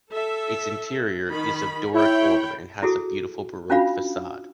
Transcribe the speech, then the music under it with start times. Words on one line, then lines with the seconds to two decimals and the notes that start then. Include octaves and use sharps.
Its interior is of Doric order and has a beautiful baroque facade.
0.11 A4 E5
1.29 D#3 B5
1.94 E4 C#5 G5 B5
2.82 E4 F#4 G#4 A4
3.70 C#4 D4 F4 F#4 F5 B5